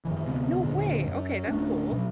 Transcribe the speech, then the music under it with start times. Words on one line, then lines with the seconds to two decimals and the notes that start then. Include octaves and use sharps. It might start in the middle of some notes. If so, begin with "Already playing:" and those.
No way, okay, that's cool.
0.05 F#2 D#3 E3
0.25 D2 C3 G#3 B3
0.63 D#2 A#2 D3 G#3
1.04 F#2
1.47 D1 A3 C#4 D4
1.91 B2 F#3